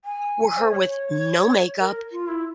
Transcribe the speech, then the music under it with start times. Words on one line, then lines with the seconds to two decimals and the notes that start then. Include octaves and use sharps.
were her with no makeup,
0.05 G#5
0.57 C5
0.68 C#5
1.80 A#4
2.12 F4
2.28 E4